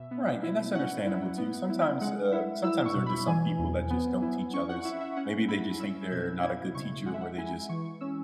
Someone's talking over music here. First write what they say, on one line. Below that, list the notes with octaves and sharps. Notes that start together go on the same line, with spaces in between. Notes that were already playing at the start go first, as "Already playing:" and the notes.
Right, and that's understandable too. Sometimes, uh, sometimes there are just some people that just don't teach others. Maybe they just think they're not a good teacher or they just
Already playing: B2 E5
B3
E4
C#4 F#5
E4
B3
E4
G#3 F#5
E4 E5
E4 E6
C#6
B2
B5
E3 G#5
E2
B3
E4
C#4 C#6
F#5
E4 E5
E5
C#4 F#5
E4 B5
C#4 E6
B2 G#6
E4 G#6
C#3 C#6
G#3 F#5
E5
F#5
E4 G#5
E3 C#6
C#6
C#4 E6